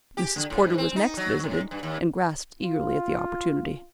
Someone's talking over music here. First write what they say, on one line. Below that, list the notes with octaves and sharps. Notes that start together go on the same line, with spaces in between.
Mrs. Porter was next visited and grasped eagerly at the opportunity.
G4
D3
A2
G#2
C4
D#4
F#3
A2
G2
D#2
F4